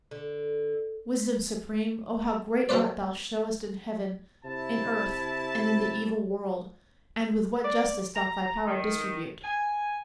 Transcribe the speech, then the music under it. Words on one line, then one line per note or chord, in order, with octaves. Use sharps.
Wisdom supreme, O how great art thou showest In heaven, in earth, and in the evil world, And with what justice doth thy power distribute!
D3
D3 F#3 A#3 B4 C5 D5
C3 E4 A5
D5
A#5
D#3
G#5